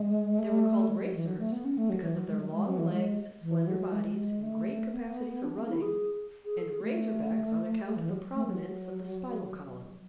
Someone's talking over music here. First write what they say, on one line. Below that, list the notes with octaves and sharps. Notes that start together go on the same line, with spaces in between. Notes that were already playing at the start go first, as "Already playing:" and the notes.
They were called "racers" because of their long legs, slender bodies, and great capacity for running; and "Razor Backs" on account of the prominence of the spinal column.
Already playing: G#3
A3
G#3
F#3
E3
F#3
A3
B3
C#4
A3
F#3
E3
F#3
G#3
F#3
G#3
F#3
E3
G#3
E3
F#3
G#3
A3
B3
D4
B3
E4
G#4
G#4
A4
G#4
A3
E3
F#3
A3
F#3